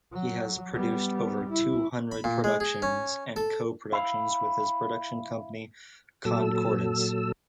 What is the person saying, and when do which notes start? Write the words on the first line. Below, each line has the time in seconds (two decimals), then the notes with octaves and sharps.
He has produced over two hundred productions and co-productions with his production company Concordance.
0.12 F#3
0.74 G3 B3
1.50 E4
2.12 B5
2.24 A#2
2.44 G#3
2.60 G#4
2.82 C#4
3.36 A4
3.92 E4 F5
6.25 A#2 F#3 A4 E6